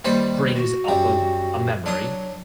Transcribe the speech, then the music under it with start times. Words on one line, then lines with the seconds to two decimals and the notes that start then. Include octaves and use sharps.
brings up a a memory,
0.05 D#2 G3 B4 C5
0.55 F#4
0.88 F#2 G3
1.86 F#3 D4 D#6